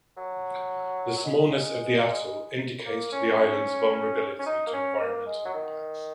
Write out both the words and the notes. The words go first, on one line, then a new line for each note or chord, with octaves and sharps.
The smallness of the atoll indicates to the islands' vulnerability to environmental impacts.
F#3
F#3
G#3
A#3
C#4
C#4
D#4
A#3
C#4
A#3
G#3
F#3
D#3